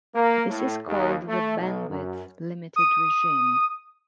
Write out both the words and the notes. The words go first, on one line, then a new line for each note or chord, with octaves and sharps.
This is called the "bandwidth-limited regime".
A#3
A2
D#2
A3
B1
F#2
D#6